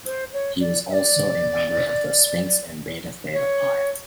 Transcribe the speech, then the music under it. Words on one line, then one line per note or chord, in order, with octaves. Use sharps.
He was also a member of the Sphinx and Beta Theta Pi.
C5
C#5
D5
E5
D5
C#5